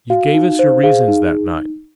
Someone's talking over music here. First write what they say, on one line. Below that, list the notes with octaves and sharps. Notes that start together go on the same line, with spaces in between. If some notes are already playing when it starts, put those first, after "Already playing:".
You gave us your reasons that night.
F#4 F5
D#4
C5
G#4 F5
D#4